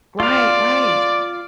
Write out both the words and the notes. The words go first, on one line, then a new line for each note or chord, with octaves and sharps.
Right, right.
F4 D5 F5